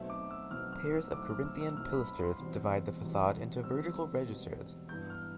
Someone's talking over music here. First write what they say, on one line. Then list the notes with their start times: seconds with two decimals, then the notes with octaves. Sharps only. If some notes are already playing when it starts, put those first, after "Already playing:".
Pairs of Corinthian pilasters divide the facade into vertical registers.
Already playing: B1 B2 A3 C4 E5
0.10 D6
0.31 E6
0.51 B1 B2 A3 C4 F6
0.73 F6
0.93 E6
1.13 B1 B2 A3 C4 D6
1.30 F6
1.45 E6
1.61 E6
1.76 B1 B2 A3 C4 F6
1.93 B5
2.07 B5
2.23 C6
2.39 E1 E2 B2 G3 C4
3.01 E1 E2 B2 G3 C4
3.64 E1 E2 B2 G3 C4 E6
4.26 E1 E2 B2 G3 C4
4.88 G2 E3 B3 G6
5.10 F6